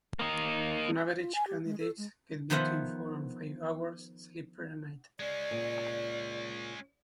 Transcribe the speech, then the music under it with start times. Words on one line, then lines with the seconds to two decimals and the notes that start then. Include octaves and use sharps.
On average candidates get between four and five hours sleep per a night.
0.19 A#3 D#4
1.17 F4
1.35 G#5
1.47 G4
1.65 G#3
1.80 A4
1.98 G#3
2.50 D#3 F3 B3 F4 E5 F#5
5.20 G#3 C#4 D5
5.51 A#2